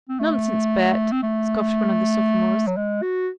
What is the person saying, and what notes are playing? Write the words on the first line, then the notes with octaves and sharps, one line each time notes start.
"Nonsense, Bert," scoffed one of the sophomores.
C4
A3
C4
A3
F#3
G#3
F#4